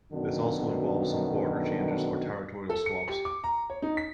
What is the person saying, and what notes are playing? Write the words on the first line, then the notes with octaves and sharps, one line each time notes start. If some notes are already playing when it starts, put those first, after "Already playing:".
This also involved some border changes or territorial swaps.
F#2 B2 D3 D#3
A4
C#7
G4
D6
A#5
C#5
D#4
B6